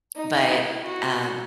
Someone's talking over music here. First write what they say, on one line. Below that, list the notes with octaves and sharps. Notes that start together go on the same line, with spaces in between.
but, um,
D#4
E4
F#4